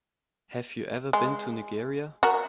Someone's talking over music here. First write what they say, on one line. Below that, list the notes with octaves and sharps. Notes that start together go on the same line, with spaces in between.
Have you ever been to Nigeria?
G#3
F#4 A#4